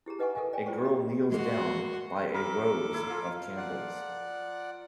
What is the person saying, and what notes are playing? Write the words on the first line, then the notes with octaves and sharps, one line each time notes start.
A girl kneels down by a rows of candles.
E4 G4 G#4 A#5
D#4 B4 D#5 F#5 G#5 C#6
A4 A#4 D#5 F5 G#5
D5 G5 G#5
E4 F4 C5 D5 G5 C#6
G4 D#5 B5
G#3 A#3 F#4 C6
A4 A#4 B5 D6
E4
F3 F5
D5 F#5